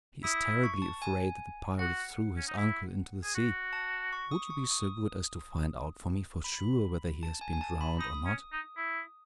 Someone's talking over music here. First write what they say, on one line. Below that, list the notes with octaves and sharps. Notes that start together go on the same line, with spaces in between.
"And he is terribly afraid that the pirates threw his uncle into the sea. Would you be so good as to find out for me, for sure, whether he has been drowned or not?"
E4 D#6
C#6
A5
G#5
F#4 F#5
C#4
D#4
E4
G#4
F#4
A5
C#6
D#6
C#6
D#6
B5
A5
G#5
G#5
A5
B5
D#4 D#6
C#4
D#4
E4